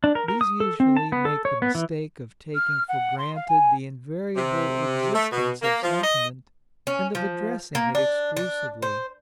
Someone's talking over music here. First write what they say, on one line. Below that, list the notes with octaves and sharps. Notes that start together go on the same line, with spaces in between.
These usually make the mistake of taking for granted the invariable existence of sentiment, and of addressing it exclusively.
D4
A#4
A#4
D#6
A4
C4
A5
B3
A4
C#5
B3
E3
F6
F#5
C6
F5
G#5
C3
A3
B2
A#3
F3
D#5
C#4
F3
A#3
D4
D4
C5